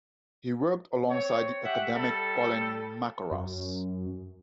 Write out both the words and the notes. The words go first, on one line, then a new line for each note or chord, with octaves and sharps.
He worked alongside the academic Colin Mackerras.
C4 C#5
G4 E5 F#5
G3 A4
F#2